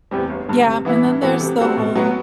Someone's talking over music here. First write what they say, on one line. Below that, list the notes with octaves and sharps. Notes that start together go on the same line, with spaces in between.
Yeah, and then there's the whole
E2 C3 G3
G1
G2 D3
C3
E3 B3 E4
G2
E3 B3 F#4 A4
C3
G3 C4 F#4 A4
B2
F#3 B3 F#4